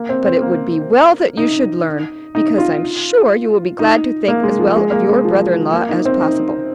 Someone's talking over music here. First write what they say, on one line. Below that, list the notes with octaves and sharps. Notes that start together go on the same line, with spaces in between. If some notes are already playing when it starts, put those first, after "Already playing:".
"But it would be well that you should learn, because I'm sure you will be glad to think as well of your brother-in-law as possible."
Already playing: A#3
C4
C4
A#3
D#4
D#4
F4
D#4
A#3
G#3
F3
G#3
A#3
G#3
F3
A#3
D#4
C4
D#4